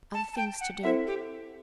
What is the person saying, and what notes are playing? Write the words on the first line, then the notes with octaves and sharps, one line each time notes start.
'Other things to do.'
A5
A5
G5
F#5
C4 E4 A4 C5 E5
G4